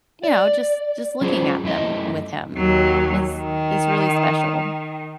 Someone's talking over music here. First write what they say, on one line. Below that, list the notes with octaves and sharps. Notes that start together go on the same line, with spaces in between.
you know, just just looking at them with him is is really special.
D5
F#3 C#4 F4 G#4 C5
F#2 A3 E4 D#5
D#2 F#3
D#3